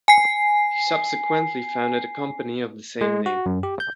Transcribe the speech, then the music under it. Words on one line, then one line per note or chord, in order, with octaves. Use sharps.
He subsequently founded a company of the same name.
G#5 C7
G#3
F#4
F#2
G4
G6